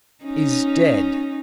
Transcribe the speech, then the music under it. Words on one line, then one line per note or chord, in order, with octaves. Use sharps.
"Is dead."
C#4 D#4